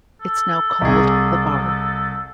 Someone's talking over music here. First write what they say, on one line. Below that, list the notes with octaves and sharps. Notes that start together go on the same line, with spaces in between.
It's now called The Bar.
A4
C2 G#4